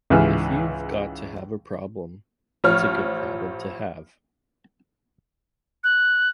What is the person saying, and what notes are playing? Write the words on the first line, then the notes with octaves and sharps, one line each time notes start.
If you've got to have a problem, it's a good problem to have.
C#2 G#2 E3 E5 F6
A1 F3 C#5 F6
F#6